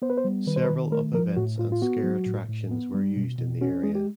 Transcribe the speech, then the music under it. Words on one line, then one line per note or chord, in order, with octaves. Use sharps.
Several of events and scare attractions were used in the area.
B3 C5
B4
C5
G3
D#3 B4
C5
B4
D#3
A3 A#4
F3 A#4
A2 F#4
A2 F4
F4
B3 F#4
F#3
A2
A2
B3
G3
B2
B2
C#4 F#4
G#3 G#4
G4